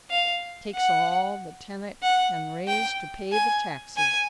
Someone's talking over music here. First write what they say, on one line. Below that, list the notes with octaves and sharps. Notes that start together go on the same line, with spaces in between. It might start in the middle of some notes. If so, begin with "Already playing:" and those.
Takes all the tenant can raise to pay the taxes.
F5
F#5
F#5
G5
G#5
G#5